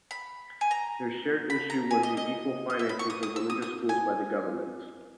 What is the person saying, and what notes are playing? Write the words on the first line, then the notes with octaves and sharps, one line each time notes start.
Their shared issue was the equal financing for religious schools by the government.
B5
G#5
A#5
B5
A#5
G#5
D#5
D#5
D#5
E5
B5
C#6
D#6
D#6
E6
D#6
D#6
G#5